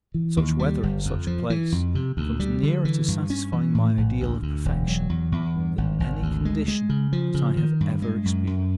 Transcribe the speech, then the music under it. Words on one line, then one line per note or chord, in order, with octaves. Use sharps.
Such weather in such a place comes nearer to satisfying my ideal of perfection than any condition that I have ever experienced.
E3
D#2
G3
G1
F2
F3
E3
F2
C3
D2
G3
D3
E3
G2
C#4
E3
A2
A#1
D2
D2
E1
F#3
E2
E2
G2
G#1
G#1
D2
G#3
G#3
C#3
F3
C#3
D#3
G2
G#3
F#2
F#2